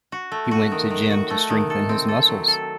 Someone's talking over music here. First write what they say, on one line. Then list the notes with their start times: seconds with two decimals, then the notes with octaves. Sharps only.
He went to gym to strengthen his muscles.
0.12 F#4
0.32 A3
0.51 F#4
0.72 D#3
0.90 D#3
1.11 F#4
1.30 A3
1.50 D#3
1.70 A4
1.89 C4
2.08 A4
2.29 F#3
2.48 A4